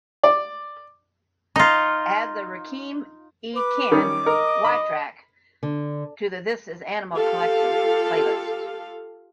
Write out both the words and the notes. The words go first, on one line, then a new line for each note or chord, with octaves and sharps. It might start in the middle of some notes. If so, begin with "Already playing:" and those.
Add the Rakim y Ken Y track to the This Is Animal Collective playlist.
D5
D#4 F4
B4 D6
D#3 G3 C#4
A#4 D#5
B5
D3
F4 G4 A4 F5